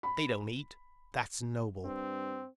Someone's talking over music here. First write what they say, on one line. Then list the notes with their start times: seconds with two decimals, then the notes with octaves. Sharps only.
They don't eat; that's noble.
0.03 B5
1.85 G2 C4